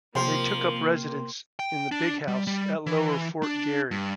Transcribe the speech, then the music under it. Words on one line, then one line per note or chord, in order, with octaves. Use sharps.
They took up residence in the "Big House" at Lower Fort Garry.
C3 F3 A#3 G5 C6
G5
D4
G3
G3
E3
D4
G2